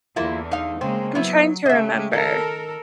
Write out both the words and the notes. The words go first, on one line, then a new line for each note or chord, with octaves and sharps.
I'm trying to remember.
E2 D3 A#3 E4 F4
D#4 F5
C#3 G#3 A#3 C4
F#3 B3 E4
C#3 A3 G4 D#5 E5
D#3 A4 A#4